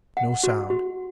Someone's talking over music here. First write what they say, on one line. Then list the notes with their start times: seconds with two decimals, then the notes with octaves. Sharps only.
No sound.
0.17 F#5
0.44 F#4
0.70 F#4